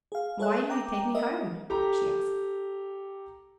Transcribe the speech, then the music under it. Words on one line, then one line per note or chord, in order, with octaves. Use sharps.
"Why do you take me home?" she asked.
G#4 F5
G#4 A4 C#5 E5 F#6
G5 A#5 D6
A#4 D#5 E5
G4 A4 A#5